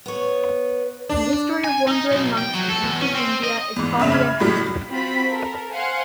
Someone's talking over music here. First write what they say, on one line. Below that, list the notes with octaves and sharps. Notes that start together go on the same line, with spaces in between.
The history of wandering monks in ancient India is partly untraceable.
B3 C#5
D4
G#5
D#4
B1
G5
F#3
A4
E2
C#4
C4
D#5
E2 G#2
A#1 C#3 E5 E7 F7
B5 F6 G#6
F#1 A2 F#3 G3 B6
C4 F4 F#4 B5
A4 A#4
C5 F5 F#5 G#5 C6